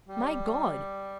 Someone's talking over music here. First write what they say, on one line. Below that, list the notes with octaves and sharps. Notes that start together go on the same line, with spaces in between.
My God!
G3